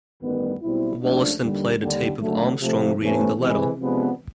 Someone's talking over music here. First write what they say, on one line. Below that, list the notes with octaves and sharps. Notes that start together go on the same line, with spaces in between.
Wallace then played a tape of Armstrong reading the letter.
A1 G2 D#3 G3 B3
B1 B2 G3 C4 E4
C#2 C#3 F3 A3 D4
D#2 D3 G3
D#2 D3 G3
F#1 F#2 D3 F#3 A3
C3 F3 A3
E2 C3 E3 A3 C#4
C3 E3 G#3
C3 F3 G#3 B3 D4